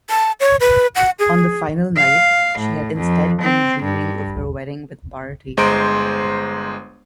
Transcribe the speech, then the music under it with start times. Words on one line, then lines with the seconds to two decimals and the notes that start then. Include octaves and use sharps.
On the final night, she had instead been dreaming of her wedding with Barty.
0.10 A5
0.40 C#5
0.60 B4
0.96 F#5
1.19 G#4
1.96 F5
2.59 A2
2.96 F2
3.42 C4
3.83 G2
5.57 G1 G#3 C5 A#5 C6 D7